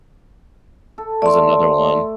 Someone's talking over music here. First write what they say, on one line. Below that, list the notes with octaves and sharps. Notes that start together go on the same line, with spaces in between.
was another one.
A4
A3 D5 C6